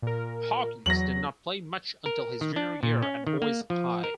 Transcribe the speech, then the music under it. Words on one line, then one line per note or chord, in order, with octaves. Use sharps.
Hawkins did not play much until his junior year at Boys High.
A#2 A#4
E2 F#3 A#6 F#7
A#4
D#3
D4
A#2
C#4
D#3
A#3
F3
A#4